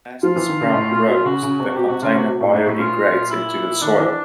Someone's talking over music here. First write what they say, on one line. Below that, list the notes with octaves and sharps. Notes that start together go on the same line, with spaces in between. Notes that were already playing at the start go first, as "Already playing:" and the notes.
As the sprout grows, the container biodegrades into the soil.
F3 F4
E3
D#3
C#3
A2
A#2
B2
C#3 F#4
C#3
C3
F#4
B2 G4
C3 F#4
C#3 F4
C3 F#4
B2
A2
G#2
A2
A#2 F4
E4
D#3 D4
E3